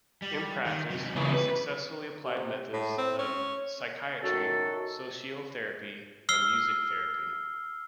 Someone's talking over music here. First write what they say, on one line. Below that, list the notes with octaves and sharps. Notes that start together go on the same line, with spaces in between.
In practice, he successfully applied methods of psychiatry, socio-therapy and music therapy.
G3
D#3
C3 F#3
C#3 E3
B4
C3
A2
C4
C#4
F#2 D#3 F#4 A4
E6 F6 C7 G7